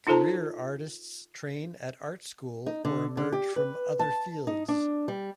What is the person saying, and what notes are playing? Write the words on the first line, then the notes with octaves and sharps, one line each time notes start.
Career artists train at art school or emerge from other fields.
D#4 F4 A4 C5 A5 A#5
D#4
D3
D3
G4
B4
A5
D#4
D4
G3